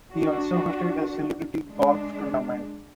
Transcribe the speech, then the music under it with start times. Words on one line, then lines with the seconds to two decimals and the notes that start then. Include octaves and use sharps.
He also hosted a celebrity golf tournament.
0.13 D4 F#4
1.69 G#3 D4